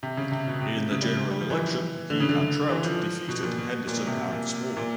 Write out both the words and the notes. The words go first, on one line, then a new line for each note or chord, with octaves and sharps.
In the general election he and Trout defeated Henderson and Smalley.
C3
C#3
C3
B2
C3
C#3
C#3
G3
G3
F3
E3
D3
C#3
D3
E3
F3
B2
A#2
B2
A#2
B2
C3
C3
A#2
A#2